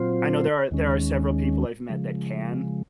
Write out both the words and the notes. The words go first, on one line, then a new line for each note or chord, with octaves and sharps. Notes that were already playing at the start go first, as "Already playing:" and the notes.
I know there are there are several people I've met that can,
Already playing: A#2 F#3 C4 F4 C5
D#2 D#3 G#3 C#4
C#3 F3 G#3